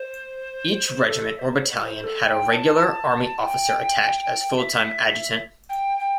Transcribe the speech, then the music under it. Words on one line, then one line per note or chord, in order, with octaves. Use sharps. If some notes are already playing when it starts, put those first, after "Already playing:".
Each regiment or battalion had a Regular Army officer attached as full-time adjutant.
Already playing: C5
A4
E5
C5
C5
A4
G5
A5
A5
G5
G5
E5
G5
G5